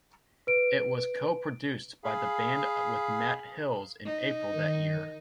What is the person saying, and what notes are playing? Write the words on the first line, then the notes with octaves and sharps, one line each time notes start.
It was co-produced by the band with Matt Hills in April that year.
B4 D7
G#4 F5 B5
D#4
D#3